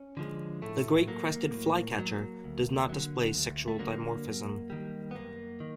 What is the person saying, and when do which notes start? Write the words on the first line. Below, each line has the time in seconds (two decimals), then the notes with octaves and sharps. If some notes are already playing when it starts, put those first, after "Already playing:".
The great crested flycatcher does not display sexual dimorphism.
Already playing: C#4
0.17 D3 F3 G#3
0.62 A2 A3
1.07 F#3 A#3
1.53 A2
1.99 F#3
2.44 D2
2.89 D3 F#3
3.34 D2
3.68 A3
3.79 D3 F#3 A#3
4.25 F#2
4.70 D#3 G3
5.11 B3
5.15 F#2 A#3
5.60 D#3